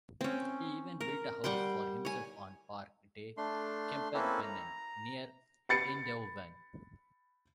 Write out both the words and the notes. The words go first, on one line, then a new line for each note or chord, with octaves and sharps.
He even built a house for himself on park "De Kempervennen" near Eindhoven.
C4 C#4
A#4
G3 F#5 G5 C6
C#5 G#5
A3 D4 C6
A#3 C4 C#4 E4 A4 B4
A#5
B5 A6 C#7